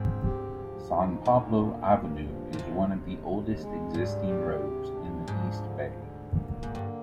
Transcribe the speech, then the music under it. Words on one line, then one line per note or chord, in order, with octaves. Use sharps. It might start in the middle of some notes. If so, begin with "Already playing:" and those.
San Pablo Avenue is one of the oldest existing roads in the East Bay.
Already playing: G#2 C4
G4
F3
D#4
A#2 D3
A#3
G2
F3
A#2
C3 D#3
D#2
D#2
G#3
G#2 G3
G4
C3
D4
G#2 F3
D3
D3
A#3
G#2 D3
G2